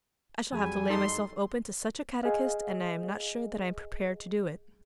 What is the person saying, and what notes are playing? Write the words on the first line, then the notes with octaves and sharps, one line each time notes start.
I shall have to lay myself open to such a catechist, and I am not sure that I am prepared to do it.'
F2 F#3 G3 G#4 G#5 B5
D#4 A4 C6
G#4 D#5 F5